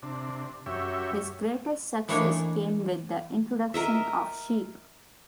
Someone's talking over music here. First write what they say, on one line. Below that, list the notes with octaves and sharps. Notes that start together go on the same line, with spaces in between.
His greatest success came with the introduction of sheep.
C3 D4
F#2 G4 C#5 E5
E3 A3 A#3 D4 D#4 C#5
A#4 D#5 E5